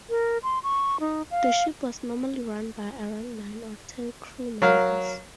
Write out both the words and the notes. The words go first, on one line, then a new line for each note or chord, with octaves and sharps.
The ship was normally run by around nine or ten crew members.
A#4
C6
C#6
D#4
F5
F#3 A#4 F5